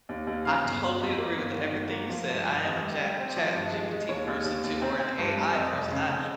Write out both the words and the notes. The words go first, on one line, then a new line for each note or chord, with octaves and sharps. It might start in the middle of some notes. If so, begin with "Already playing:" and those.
I totally agree with everything you said. I am a ja ChatGPT person, too, or an AI person. I
D#2
D#2
C#3 F5
G1
G1
F2
A#3
G1
D#3
G1
A#3
F3
G2
G2
F2 D#5
G3
G3
C4
F3
G2
G#3
G#3
D#2 C#5
D#2
D#2
D#2
C4
C4
G2
G3
F2 D#5
F1
C#3
F2